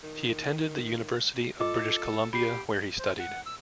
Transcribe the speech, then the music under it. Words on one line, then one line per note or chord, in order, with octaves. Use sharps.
He attended the University of British Columbia where he studied.
D#3
F4 A4 D#5 D6
G4 B5 C7
C5
F#5
E6